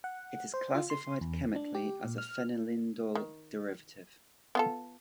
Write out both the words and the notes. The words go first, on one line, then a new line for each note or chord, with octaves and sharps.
It is classified chemically as a phenylindole derivative.
F#5
C5
F4
C6
E2
D4
G4
A#2
F6
D#3
B3 F4 A4